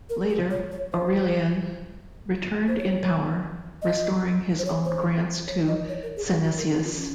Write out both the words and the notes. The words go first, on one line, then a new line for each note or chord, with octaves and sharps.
Later Aurelian returned in power, restoring his own grants to Synesius.
A#4
G#4
C#5
C#5
C5
C5
C#5
D#5
C5
C#5
C5
C#5
D#5
C#5
A#4
G#4
G#4
F#4
A#4
C#4
D#4
F4
D#4
C#4